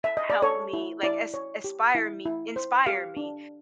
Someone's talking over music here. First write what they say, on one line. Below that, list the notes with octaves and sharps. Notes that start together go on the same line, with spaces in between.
help me, like, is ispire me inspire me
E5
D#5
D5
A4 C#5
E4
E4 D5
C#5
G4
E4
E4
C5
G4 F5
D4